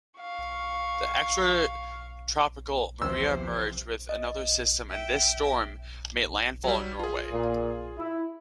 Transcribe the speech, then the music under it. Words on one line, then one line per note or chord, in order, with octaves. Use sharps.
The extratropical Maria merged with another system and this storm made landfall in Norway.
F5 C#6
D#2 C3 E3 F3 C5 E6
D#5
E5 G5
F#3 G3
F4 G#4
A#2
E4